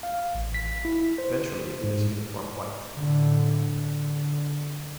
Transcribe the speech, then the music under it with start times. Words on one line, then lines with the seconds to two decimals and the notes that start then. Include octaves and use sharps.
Ventrally it is uniform white.
0.03 F5
0.35 A1
0.54 B6
0.85 E4
1.18 C5
1.84 G#2
2.96 A2 D3
3.70 D3